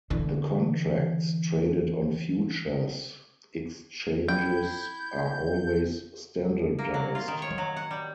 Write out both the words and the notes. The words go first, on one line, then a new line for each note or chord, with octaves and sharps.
The contracts traded on futures exchanges are always standardized.
D3 E3
E4 G5 G6
A#3
F#3
F4
D#3
C#5
F#3
F#5
G3